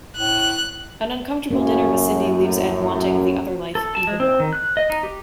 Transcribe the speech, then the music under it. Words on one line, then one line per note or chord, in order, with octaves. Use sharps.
An uncomfortable dinner with Cindy leaves Ed wanting the other life even more.
A2 F#6
F#2 A2 A#3 C#4
A4
A5
G#3
C4
D#3
F#6
D#5
D#4
G4